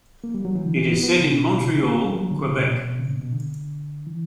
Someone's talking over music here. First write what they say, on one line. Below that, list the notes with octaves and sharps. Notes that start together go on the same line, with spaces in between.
It is set in Montreal, Quebec.
A#3
G3
F#3
E3
D3
E3
B3
B3
C#3
B2
B2
C#3
D3
A#3
A#3
G3
F#3
D3
C#3
B2
A#2
B2
B2
C#3
A#2
B2
D3
E3